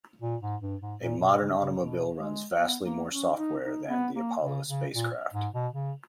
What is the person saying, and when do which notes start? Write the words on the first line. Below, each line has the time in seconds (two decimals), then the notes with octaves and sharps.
A modern automobile runs vastly more "software" than the Apollo spacecraft.
0.22 A#2
0.42 G#2
0.62 G2
0.81 G#2
1.01 A#2
1.20 B2
1.40 C#3
1.60 C#3
1.79 B2
2.19 G#3
2.58 B3
2.85 A#3
3.11 C#4
3.37 D#4
3.64 D#4
3.89 B3
4.15 A#3
4.42 C#3
4.68 C#3
4.94 A#2
5.34 G#2
5.53 B2
5.73 C#3